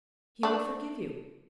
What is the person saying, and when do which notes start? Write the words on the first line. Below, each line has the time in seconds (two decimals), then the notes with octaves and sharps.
"He would forgive you."
0.43 A3 D4